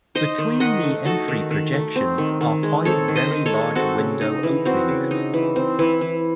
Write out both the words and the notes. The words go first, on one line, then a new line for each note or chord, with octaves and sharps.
Between the entry projections are five very large window openings.
D#4 C5 D#5
D#3
D#3 D#5 F#5
A3
D#4 F#4 A4
D#3
D#3
A3
C4
D#3
D#3
G#3
C4 A4 C#5
D#3
C5 D#5
D#3
A4 C#5
G#3
C4 F#4 A4
C#3
D#4
E3
C4 F#4
C#3
D#4
E3
C4
E3
E3